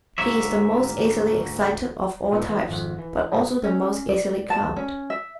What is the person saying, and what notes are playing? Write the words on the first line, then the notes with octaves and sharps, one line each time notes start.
He is the most easily excited of all types but also the most easily calmed.
D2 G#2 A#3 C#5 E5
A#2 B3 D#4 A4 D5
E3 D#5
G#1 F2 F#5
E3
G2 C3 D5 D#5 G5
C#4
D5
A5
C#4
E5